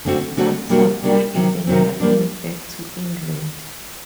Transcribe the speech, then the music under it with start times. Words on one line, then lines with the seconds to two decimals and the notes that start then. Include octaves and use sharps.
That supply eventually went back to England.
0.05 D3 A3 C4 F#4 A4
0.37 D3 A3 C4 F#4 A4
0.69 C3 G3 A#3 D4 F#4
1.02 C3 G3 A#3 D4 F#4
1.35 C3 D#3 F#3 C4
1.67 C3 D#3 F#3 C4
2.00 G3 A#3 D4